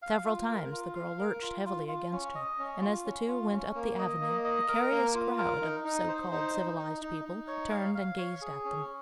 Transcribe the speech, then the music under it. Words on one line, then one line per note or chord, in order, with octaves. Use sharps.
Several times the girl lurched heavily against her, and as the two went up the avenue a curious crowd of so-called civilized people turned and gazed at them.
F5
F4
A#4
F4
F5
A#4
F4
F4
F4
C#4
D#5
C#4
F4
C#4
F4
C#4
A#3
D#5
A#3
D#5
A#4
A#3
F4
A#4
D#4
D#4
C5
D#4
D#4
D#4
D#4
D#4
C#5
F5
F5
C#5
G#4
C#4